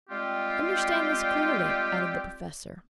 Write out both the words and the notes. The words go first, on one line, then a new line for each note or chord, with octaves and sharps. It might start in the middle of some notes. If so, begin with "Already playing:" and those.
"Understand this clearly," added the Professor.
G3 G#3 C4 F4 G4